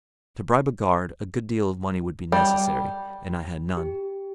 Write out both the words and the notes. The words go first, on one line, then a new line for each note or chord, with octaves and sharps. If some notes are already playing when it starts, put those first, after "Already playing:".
To bribe a guard a good deal of money would be necessary, and I had none.
G3
G4